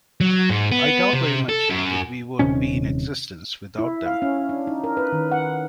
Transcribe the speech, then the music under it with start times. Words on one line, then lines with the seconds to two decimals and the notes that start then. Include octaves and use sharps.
I doubt very much if we would be in existence without them.
0.21 F#3
0.49 G#2
0.72 B3
1.13 C3
1.49 A4
1.70 F#2
2.39 D#1 C3 D#3 C#4
3.79 E4
4.06 F5
4.22 C#4
4.49 D4
4.67 D#4
4.84 A#4
4.97 B4
5.12 D#3
5.32 F#5